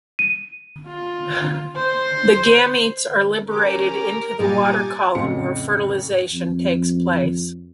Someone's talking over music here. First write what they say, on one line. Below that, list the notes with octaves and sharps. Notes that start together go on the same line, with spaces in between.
The gametes are liberated into the water column where fertilisation takes place.
D#7
F4
C5
C#4 G4 A#4 D6
A#2 G3 D#4 G#4 G#5 D6 A6
F2 A2 C#3 C#4 C#7
F2